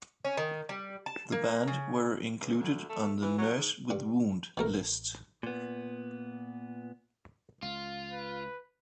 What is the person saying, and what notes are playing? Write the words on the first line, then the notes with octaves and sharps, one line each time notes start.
The band were included on the Nurse With Wound list.
C#4
D#3
G3
A5
A#3
C#3
C#2
D2
A3
E3
F#3
G#2
G2
A1 B2 A3 A#4
A#2 B3
C#2 F4
B4